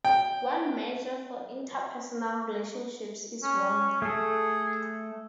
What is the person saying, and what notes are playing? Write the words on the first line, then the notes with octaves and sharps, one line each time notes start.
One measure for interpersonal relationships is "warmth".
G5
C#4
A3 G#4 A4